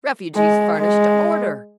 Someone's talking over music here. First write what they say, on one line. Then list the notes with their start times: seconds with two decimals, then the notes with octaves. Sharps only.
Refuges furnished to order.
0.35 G#3
0.77 G#3